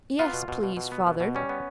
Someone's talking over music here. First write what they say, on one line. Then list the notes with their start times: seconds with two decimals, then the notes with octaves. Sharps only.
"Yes, please, Father."
0.19 B3 F4
0.34 B2
0.48 B2
0.63 B2
0.77 B2
0.92 B3
1.07 B2
1.20 B2
1.35 G3 C#4
1.49 B3